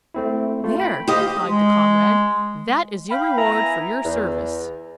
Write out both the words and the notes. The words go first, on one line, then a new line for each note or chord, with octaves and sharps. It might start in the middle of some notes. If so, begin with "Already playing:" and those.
"There!" cried the comrade, "that is your reward for your service!"
A3 C4 E4
A3 F4
G5 B5
G4 C5 D#5 F5 D#6
G#3
F5 G5 B5
B3 E4 G#5 A#5
E2